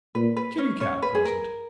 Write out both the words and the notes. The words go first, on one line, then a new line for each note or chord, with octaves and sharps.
Kitty-cat pleasant!
A#2 B4
B4
C#4 C#5
C#4 C#5
B4
G#4
A#4